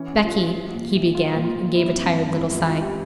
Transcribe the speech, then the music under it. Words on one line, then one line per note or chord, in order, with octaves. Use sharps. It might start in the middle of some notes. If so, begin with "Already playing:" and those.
'Becky,' he began, and gave a tired little sigh.
Already playing: E3 C#4
C2
F4
C2
F3
A#2
A#1
F3 F4
A#2
F4
A#2
G1 E4
F2
C4
G1
C#2 E4
C#2 F4
F4
E3
G4